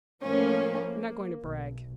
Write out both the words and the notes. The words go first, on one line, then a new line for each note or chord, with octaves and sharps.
I'm not going to brag.
A2 F3 A3 A#3 C#4
A#3
B1